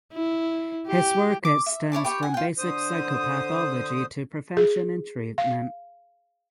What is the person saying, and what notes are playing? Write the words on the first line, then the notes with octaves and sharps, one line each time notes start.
His work extends from basic psychopathology to prevention and treatment.
E4
G4
D6
E5
E4 C#5 D5 A5
G4 B4 G5 C#6
F#5 G#5
F4 G5
D3 C5 D#6
G#4
F5